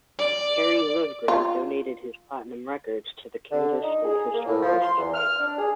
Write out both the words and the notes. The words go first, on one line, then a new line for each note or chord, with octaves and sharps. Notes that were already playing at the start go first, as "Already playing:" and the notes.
Kerry Livgren donated his platinum record to the Kansas State Historical Society.
D5
F4
D3
D#4
G#4
A#3
A2
F3
C6
E2
F6
D4
G#4